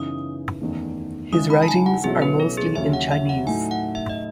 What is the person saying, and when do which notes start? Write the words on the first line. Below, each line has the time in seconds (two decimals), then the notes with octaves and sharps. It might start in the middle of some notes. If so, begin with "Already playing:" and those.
His writings are mostly in Chinese.
Already playing: F#2 C#3 E3 B3 D#4 D#6
0.61 F#1 E2 D#3 A3
1.32 C#3 E3 G#3 D#4 D#6
1.50 B5
1.63 A5
1.68 G#5
1.86 F#5
2.04 B1 B2 F#3 C#4 E4 G#4
2.22 B4
2.40 A4
2.58 G#4
2.76 D#2 C#3 F#3 C#4 E5
2.93 F#5
3.11 E5
3.29 F#5
3.47 A2 F#3 A3 D#4 G#5
3.71 F#5
3.95 E5
4.09 D#5